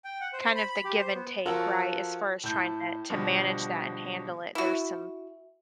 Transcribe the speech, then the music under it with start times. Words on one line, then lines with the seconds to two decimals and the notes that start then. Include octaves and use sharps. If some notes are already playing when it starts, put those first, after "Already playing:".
Kind of the give and take, right? As far as trying to to manage that and handle it, there's some
0.04 G5
0.21 F#5
0.33 C5
0.55 B5
0.69 B5
0.84 G4
0.99 C5
1.14 B3
1.46 F3 F4 F#4 A4 A#4 C#5
2.43 A2 A5 G6
3.10 B2 D3 F3 G3
4.55 E4 F#4